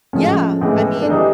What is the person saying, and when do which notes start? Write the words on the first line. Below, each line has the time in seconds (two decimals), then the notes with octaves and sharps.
Yeah! I mean,
0.13 A2 F3 G#3 C#4
0.61 A2 E3 G#3
1.02 D4
1.10 E3 G3 D#4